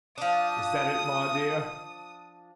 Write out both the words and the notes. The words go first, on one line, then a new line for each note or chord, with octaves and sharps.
Is that it, my dear?'
F3 D4 D#6